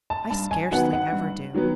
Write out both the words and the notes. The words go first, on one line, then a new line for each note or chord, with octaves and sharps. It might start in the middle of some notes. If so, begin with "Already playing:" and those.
I scarcely ever do.
A5
G2 A5
G#5
D#3 F#3 B3 F#5
F#5
G2
D#3 F#3 B3